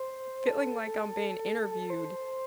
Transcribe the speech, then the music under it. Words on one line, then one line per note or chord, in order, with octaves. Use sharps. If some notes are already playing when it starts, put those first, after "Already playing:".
feeling like I'm being interviewed
Already playing: C5
A4
C5